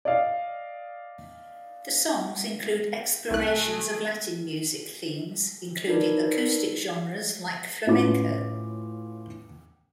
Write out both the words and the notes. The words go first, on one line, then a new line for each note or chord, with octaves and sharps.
The songs include explorations of Latin music themes, including acoustic genres like flamenco.
D5 D#5 F5
C2 A3 G#4 F#6
D#4 A#4 B4 D5
A2 C#4 F4 B4 D6